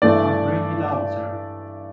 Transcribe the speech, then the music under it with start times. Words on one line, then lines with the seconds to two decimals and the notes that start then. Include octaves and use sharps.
I will bring it out, sir.
0.02 G2 E3 A3 D4 D5